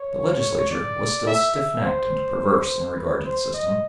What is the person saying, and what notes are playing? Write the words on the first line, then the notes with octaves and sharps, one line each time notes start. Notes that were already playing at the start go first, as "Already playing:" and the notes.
The Legislature was still stiff-necked and perverse in regard to the system.
Already playing: C#5
D5
E5
E5
C5
B4
C5
D#5